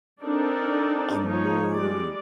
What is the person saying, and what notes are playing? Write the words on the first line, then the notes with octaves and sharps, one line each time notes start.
a more
C4 D4 D#4 A4 A#4 D5
F3 A#3 D#4 C#5
G3 G#3 D5